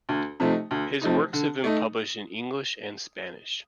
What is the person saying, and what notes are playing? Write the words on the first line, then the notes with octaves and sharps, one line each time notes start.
His works have been published in English and Spanish.
D2
C3 F3 A3 D#4
D2
C3 F3 A3 D#4
D3
A3 D#4